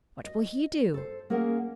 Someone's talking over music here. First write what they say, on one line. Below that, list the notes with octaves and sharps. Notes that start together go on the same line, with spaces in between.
"What will he do?"
D#5
A4 C5
A#3 C#4 G#4 A#4 F#5